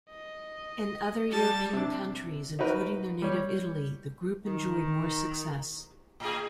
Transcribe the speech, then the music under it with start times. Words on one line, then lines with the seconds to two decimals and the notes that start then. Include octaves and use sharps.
In other European countries, including their native Italy, the group enjoyed more success.
0.10 D#5
1.31 G3 A5
1.73 C3 D4
2.59 D#4 F#4 A#4 B4 D#5
3.22 G3 C#5
4.45 D#3
6.20 A2 G#4